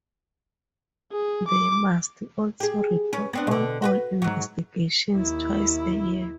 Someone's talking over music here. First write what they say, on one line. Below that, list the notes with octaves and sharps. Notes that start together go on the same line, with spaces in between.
They must also report on all investigations twice a year.
G#4
D6
G4 G#4
C#4 B4
B3 C4 D4
B2 D3
F#4 A#4 B4
G#2 F#3
D#2 E4